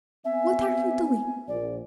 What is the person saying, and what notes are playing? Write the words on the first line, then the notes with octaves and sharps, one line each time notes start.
"What are you doing?"
B3 C4 E5 G#5
A#1 D5